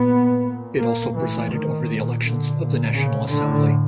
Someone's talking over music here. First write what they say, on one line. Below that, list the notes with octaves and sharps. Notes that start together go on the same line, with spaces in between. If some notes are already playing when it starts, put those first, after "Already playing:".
It also presided over the elections of the National Assembly.
Already playing: A#2 B3
A#2
A#3
A2 E3
D#3
A#2
D3
A#2
C#3
A2 D3